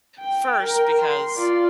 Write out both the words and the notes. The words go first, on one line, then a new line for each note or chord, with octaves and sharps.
First, because
G5
A#4 G5
C6
F4 D5